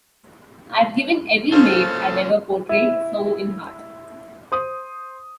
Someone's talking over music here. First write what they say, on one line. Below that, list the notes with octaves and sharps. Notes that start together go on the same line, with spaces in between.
I've given every maid I've ever portrayed soul and heart.
C#3 A#3 C4 C#4 F4 A4 C5 F6
E4
C5 D#6